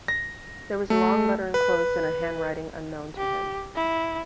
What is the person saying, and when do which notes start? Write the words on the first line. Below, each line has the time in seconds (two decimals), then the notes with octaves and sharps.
There was a long letter enclosed in a handwriting unknown to him.
0.08 A#6
0.90 A3
1.54 B4
3.17 G4
3.76 E4